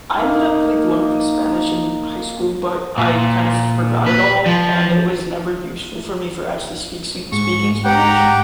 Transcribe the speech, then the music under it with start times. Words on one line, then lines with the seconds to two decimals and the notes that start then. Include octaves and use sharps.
I ended up, like, learning Spanish in high school, but I kind of forgot it all, and it was never useful for me for actually speak sing speaking Spanish,
0.19 A#3 D#4
2.98 A#2
4.06 B4
4.46 F3
7.32 G#2 C#6
7.84 G4 F#5 G5 A#5